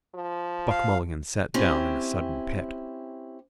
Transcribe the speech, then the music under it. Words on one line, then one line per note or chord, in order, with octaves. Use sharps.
Buck Mulligan sat down in a sudden pet.
F3
F5
C4 C#4 E4 G4